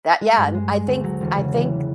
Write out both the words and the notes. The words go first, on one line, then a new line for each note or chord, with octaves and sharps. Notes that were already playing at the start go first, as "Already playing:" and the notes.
that, yeah, and I think I think,
G#3
G2
G#3
G#3
D2
F#3
E1
C#3
E3